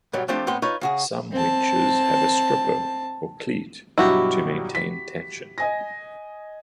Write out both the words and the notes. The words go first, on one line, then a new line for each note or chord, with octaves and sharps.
Some winches have a "stripper" or cleat to maintain tension.
G#2 B2 F#3 G3
F3 A3 C4 D4 F4 G4
A2 B3 C4 B5 C6
D#4 F4 B4 C#5
C#3 F#4 G#4
C4 A5
G2 B2 F#3 E4 F#4 G4
B6
D#5 G#5 A#6